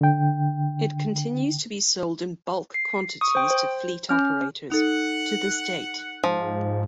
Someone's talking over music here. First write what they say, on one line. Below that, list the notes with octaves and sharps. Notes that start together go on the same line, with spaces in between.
It continues to be sold in bulk quantities to fleet operators, to this date.
D3 G5
C7
C#6 D#6
C5 G5
C5
C#4 F6
D#4 A4 F#5
G#2 F3